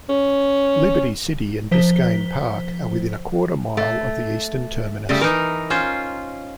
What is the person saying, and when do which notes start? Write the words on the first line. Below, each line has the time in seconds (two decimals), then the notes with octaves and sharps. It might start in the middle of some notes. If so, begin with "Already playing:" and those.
Liberty City and Biscayne Park are within a quarter mile of the eastern terminus.
0.09 C#4
1.71 F3 C5 B6 G7
3.77 A3
5.09 C#3 G3 A3
5.21 E3 D#4 A#4
5.70 C#4 F4 C5